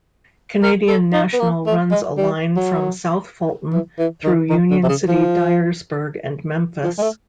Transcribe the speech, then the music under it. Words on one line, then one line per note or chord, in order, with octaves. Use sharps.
Canadian National runs a line from South Fulton, through Union City, Dyersburg and Memphis.
A#4
A4
D#4
B3
A#3
A3
G#3
G3
F#3
E3
E3
D#3
D#3
D3
C3
C#3
F3
F3
G#3
A3